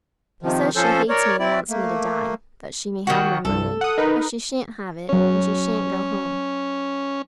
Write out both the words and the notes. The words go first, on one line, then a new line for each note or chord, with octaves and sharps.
He says she hates me and wants me to die, that she may have my money; but she shan't have it: and she shan't go home!
C3 D#3 F3
F3 C#4 A4 C5
A#4 C#5 D5
C4 E4 D5
A3 A#3
D#3 A#3 F#4
C2 G2 A4
F#5 D#6
D#4 A#4 B4
F#3 C#4 C#5